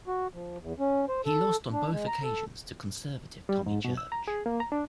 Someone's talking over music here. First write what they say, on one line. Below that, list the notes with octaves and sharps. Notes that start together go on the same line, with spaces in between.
He lost on both occasions to Conservative Tommy Church.
F#4
F3
E2
C#4
C5
A4
D4
G#3
A#5
A4
G3
G#2
B2
E6
A#5
G#4
A#3
A#5
D4